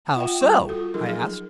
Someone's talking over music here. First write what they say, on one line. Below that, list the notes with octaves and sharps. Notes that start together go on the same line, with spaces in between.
"How so?" I asked.
F4 E5 F#5 G5
G3 C#6
F4 F#4 A4
F3 F#3 D#4 G#4 A#4
G#4